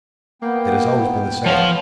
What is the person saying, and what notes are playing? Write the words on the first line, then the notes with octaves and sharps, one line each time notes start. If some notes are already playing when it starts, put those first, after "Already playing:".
It has always been the same.
A#3 B3 G5
F3 B3 C#5 F5